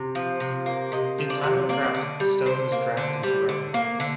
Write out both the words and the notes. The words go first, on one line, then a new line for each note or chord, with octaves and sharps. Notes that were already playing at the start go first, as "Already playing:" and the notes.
In time of drought the stone was dragged into Rome.
Already playing: C3
F3
C3
A#3
C3 D#5
F3
D5
C3
A#3 D5
D3
G3
D3 C5
A#3
D3
G3
D3
A#3
D3